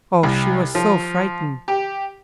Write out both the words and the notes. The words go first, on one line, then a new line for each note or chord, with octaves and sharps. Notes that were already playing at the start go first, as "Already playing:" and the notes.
Oh, she was so frightened!
C2
F3
G4